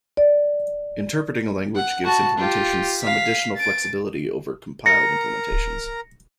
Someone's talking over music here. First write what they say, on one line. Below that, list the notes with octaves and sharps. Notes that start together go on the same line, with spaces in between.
Interpreting a language gives implementations some additional flexibility over compiled implementations.
D5
F#5
F#4 A5
F4 G4
F5 B6
A6 D7
A#4 A#5 A#6 C#7